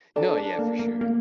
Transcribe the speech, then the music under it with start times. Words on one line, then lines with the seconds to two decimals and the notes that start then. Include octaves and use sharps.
No yeah, for sure.
0.16 D4 A4 D5 A5
0.38 D4
0.59 A#3
0.79 A#3
1.01 A#3